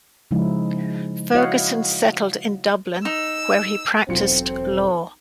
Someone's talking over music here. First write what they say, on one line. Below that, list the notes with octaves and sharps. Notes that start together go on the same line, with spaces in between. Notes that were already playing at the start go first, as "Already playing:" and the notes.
Ferguson settled in Dublin, where he practised law.
C#3 F3 G#3 D#4 E4
E4 F#4 C#5 D#5 F5 F#5
D#4 E6
E1 B1 F#3 C4 F4 A4 C5 C#7